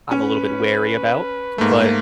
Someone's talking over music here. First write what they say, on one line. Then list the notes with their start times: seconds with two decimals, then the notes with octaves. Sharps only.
I'm a little bit wary about, but
0.11 C#4 B4
1.58 G#2 A3 A#3